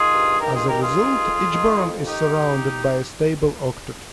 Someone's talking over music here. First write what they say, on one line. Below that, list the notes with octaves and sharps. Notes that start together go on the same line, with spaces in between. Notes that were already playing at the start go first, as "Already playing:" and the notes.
As a result, each boron is surrounded by a stable octet.
Already playing: D#3 F4 G#4
G2
D#3 G4 A#4
F4 G#4
G2 G4 A#4
F4 G#4
D#3
F2
D#3
F2
D#3 D#4 G4